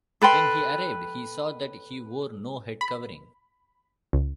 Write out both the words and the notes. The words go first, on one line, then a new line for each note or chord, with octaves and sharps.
When he arrived, he saw that he wore no head-covering.
A4 B4 G5 C6
B5
C#2